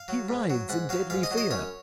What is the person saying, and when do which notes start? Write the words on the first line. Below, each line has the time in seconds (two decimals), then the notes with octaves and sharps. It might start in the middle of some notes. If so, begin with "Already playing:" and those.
He writhes in deadly fear.
Already playing: F5
0.08 F#3
0.29 G#2
0.50 F#3
0.69 G#2 F#5
0.89 F#3 F5
1.10 G#2 F5
1.23 D#5
1.31 F#3
1.37 D#5
1.51 F#2 C#5